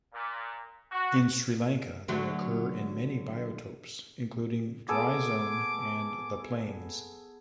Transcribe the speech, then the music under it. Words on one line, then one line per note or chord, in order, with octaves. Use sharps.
In Sri Lanka, they occur in many biotopes including dry zone and the plains.
A#2
F#4
D3 F#3 A3
B3 G#4 A4 D6